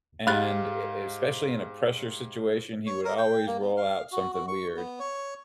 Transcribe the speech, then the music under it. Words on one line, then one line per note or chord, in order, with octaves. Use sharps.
And e especially in a pressure situation, he would always roll out something weird,
G#2 G4 F5 B5 F#6 A6
C#5
A#4
G5
A#3
B3
F5
F#4
F#4
C#6
B3
C#5